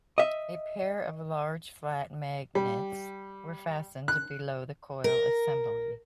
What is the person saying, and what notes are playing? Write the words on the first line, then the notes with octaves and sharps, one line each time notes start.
A pair of large flat magnets were fastened below the coil assembly.
D#5 E5
G3
F#6
A#4